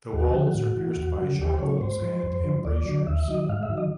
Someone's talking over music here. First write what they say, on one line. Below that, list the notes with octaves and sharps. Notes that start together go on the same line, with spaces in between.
The walls are pierced by shot holes and embrasures.
D#2 F#4
D3 F3
A2 F#4
E3
E2
C#3 F#3
D#2 G4
C5
C#3 F#3 C#5
G#2 C5
F3
F2
D3 F3
D#2 D5
D3 F#3
D#2 E5
D#3 F#3 D#5
G#2 F5
E5
D#3 F#3
D#5